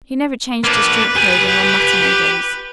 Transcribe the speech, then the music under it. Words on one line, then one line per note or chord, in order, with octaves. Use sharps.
He never changed to street clothing on matinee days.
A#3 D4 B4
G4 G#5